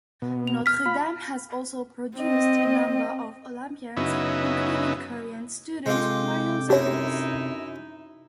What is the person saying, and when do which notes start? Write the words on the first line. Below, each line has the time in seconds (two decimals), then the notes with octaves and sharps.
Notre Dame has also produced a number of Olympians, including current student Mariel Zagunis.
0.22 B2
0.47 F7
0.66 F6 B6
0.86 F4 B5
2.17 C4 D#5
3.97 F#2 C#3 B3 D#4 E4
5.86 C3 G#3 F4 A4 G5 D6
6.70 F#2 D#4 E4 G4 A#4 C#5